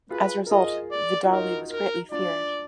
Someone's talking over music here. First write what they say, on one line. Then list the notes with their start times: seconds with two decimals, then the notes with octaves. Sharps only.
As a result, Vidali was greatly feared.
0.10 F4 G#4 B4
0.46 A#4
0.51 F4 G#4 D#5
0.91 D5
1.23 F4
1.31 D#4 F#4 A#4
1.71 A#4
2.12 D4 F4 D5